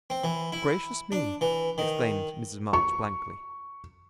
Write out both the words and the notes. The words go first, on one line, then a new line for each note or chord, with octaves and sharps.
"Gracious me!" exclaimed Mrs. March blankly.
C4
E3
E4
D4
E3
D#3
C#6